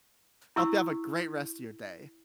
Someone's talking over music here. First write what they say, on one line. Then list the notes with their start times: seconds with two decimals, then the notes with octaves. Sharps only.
Hope you have a great rest of your day.
0.56 E4 C#6 E6